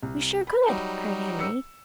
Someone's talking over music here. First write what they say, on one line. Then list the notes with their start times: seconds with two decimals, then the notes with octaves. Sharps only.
"We sure could!" cried Henry.
0.03 C2
0.47 B5
0.68 F#3 G3 D#4
1.39 E6 C#7